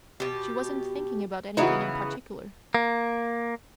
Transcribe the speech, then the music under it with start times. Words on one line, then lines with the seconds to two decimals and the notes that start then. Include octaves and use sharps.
She wasn't thinking about anything in particular.
0.20 B2 G4
1.57 C#3 E3 B3 D#4 E4 F#4
2.75 A#3